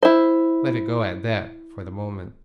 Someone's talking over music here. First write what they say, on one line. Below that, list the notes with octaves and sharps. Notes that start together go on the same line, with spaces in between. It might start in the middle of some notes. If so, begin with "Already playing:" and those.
Let it go at that, for the moment.
E4 C5